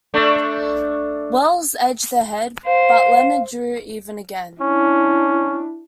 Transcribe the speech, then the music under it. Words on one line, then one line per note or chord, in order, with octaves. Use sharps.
Wells edged ahead, but Leonard drew even again.
A3 D4 A4
C5 F5
C#4 D4 E4